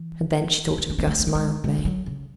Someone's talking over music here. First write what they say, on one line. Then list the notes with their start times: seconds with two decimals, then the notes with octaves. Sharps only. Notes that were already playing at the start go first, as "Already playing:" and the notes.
And then she thought of Guss Mildmay.
Already playing: E3
0.70 E3
0.78 D#3
0.90 C#4
0.98 C4
1.07 A3
1.19 C4
1.27 A3
1.35 G#3
1.64 G#3
1.78 G#3
1.85 F#3
2.06 C#3